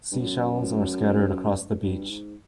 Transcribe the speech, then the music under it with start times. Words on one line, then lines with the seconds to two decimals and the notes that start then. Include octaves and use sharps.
Sea shells are scattered across the beach.
0.12 G2
0.19 F#2
1.83 G2
2.10 G#2